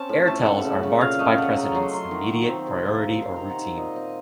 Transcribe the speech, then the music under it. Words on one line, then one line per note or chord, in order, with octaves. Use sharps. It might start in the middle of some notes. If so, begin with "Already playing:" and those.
Airtels are marked by precedence: immediate, priority, or routine.
Already playing: C4 C#4 A5
A2
A3 A5
A3 F#5
C#3
C#3
A#2 F5
A3 D#5
A3 F#5
A3 A#5
F#3 C6
F#3 C6
D#3
D#3
C4
C3
A#3
C3
D#3 C6
D#3 A#5
F#5
D#3
A#2 D#5
C4 D#5